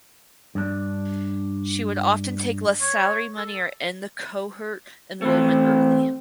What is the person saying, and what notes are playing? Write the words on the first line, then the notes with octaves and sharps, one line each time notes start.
She would often take less salary money or end the cohort enrollment early.
G2 D4
C#5
A4
E3 A3 C4